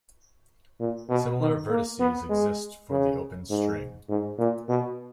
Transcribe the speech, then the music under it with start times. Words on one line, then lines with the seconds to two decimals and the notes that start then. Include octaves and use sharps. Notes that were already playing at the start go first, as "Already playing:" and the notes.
Similar vertices exist for the open string.
0.80 A#2
1.10 B2
1.41 D#3
1.70 A#3
2.00 B3
2.30 G#3
2.90 C#3
3.50 G#2
4.09 G#2
4.38 A#2
4.69 B2